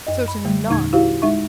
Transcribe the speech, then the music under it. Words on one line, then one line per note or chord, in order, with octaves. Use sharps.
Certainly not.
F#2 D#5
B5
D3 G3 A3
E2 A#2 D3 D#4 C#6 G#6
E4 F#4 G4 C5 F5
G#3 D#4 E5 C#6